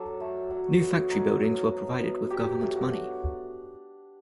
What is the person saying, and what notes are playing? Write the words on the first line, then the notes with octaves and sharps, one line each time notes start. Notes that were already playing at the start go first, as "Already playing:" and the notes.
New factory buildings were provided with government money.
Already playing: F#3 D4 A4
A3
F#3
B3
D#4
F#3
F#3
B3
F#3 G4
A3
F#4
D4